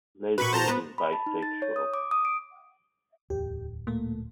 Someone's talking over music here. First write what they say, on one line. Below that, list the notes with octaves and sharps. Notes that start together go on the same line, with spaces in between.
Leslie is bisexual.
A#2 F#4 B4 B5 C#6
C5 A5 A#5
B3 B4
B5
A5
D#4
A6
C#5
D#6
D6
D#6
D7
D1 E2 G4
A#2 A3 A#3